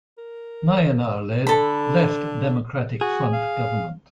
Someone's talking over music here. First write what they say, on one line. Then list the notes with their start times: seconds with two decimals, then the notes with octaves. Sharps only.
Nayanar led Left Democratic Front Government.
0.18 A#4
1.47 D3 A4 B5
3.01 F#4 G#4
3.33 F5